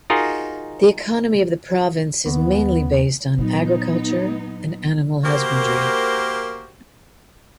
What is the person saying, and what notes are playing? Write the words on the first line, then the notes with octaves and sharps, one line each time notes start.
The economy of the province is mainly based on agriculture and animal husbandry.
D#4 F4 F#4 G#4 A#4 D#5
D#2 B3
A#2 F#3 B3 D#4
A#3 F#4 G4 A#4 C5